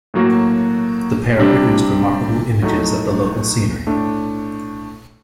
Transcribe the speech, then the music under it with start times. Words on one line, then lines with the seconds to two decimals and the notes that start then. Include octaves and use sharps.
The pair produced remarkable images of the local scenery.
0.14 A2 F#3 A#3 F#4
1.38 C3 G3 D4 G4
2.62 A2 F#3 A3 D#4
3.87 A2 A3 D4